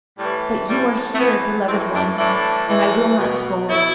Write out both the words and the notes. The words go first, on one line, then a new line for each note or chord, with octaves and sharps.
But you are here, beloved one, and I will not scold.
A2 E3 G3
A2 E3 G3
A3
A2 E3 B3
A2 E3 C4
D4
A2 E3 D4
A2 E3
B2
B2 E4